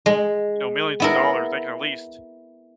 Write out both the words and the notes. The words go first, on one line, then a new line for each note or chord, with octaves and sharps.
you know, millions of dollars, they can at least
G#3
B3 E4 A#4